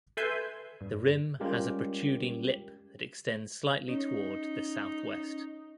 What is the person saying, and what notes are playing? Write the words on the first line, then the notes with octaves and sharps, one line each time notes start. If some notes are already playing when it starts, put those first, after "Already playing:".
The rim has a protruding lip that extends slightly toward the southwest.
A4 B4 E5 G#5 C6 G6
G2
G3 G#3 C#4 F4 G4 A#4
C#4 D#4